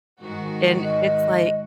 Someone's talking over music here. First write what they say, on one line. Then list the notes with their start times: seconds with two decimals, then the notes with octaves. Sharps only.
and it's, like,
0.21 G#2 D#3 F#4
0.84 D#5